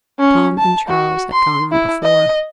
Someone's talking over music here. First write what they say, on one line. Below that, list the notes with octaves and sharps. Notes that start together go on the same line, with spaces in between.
Tom and Charles had gone on before.
C#4
A5
F#4
C6
E4
D#5